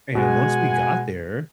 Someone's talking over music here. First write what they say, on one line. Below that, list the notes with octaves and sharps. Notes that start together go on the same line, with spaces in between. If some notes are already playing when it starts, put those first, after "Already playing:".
And once we got there,
B2 G#3 F#5 G#5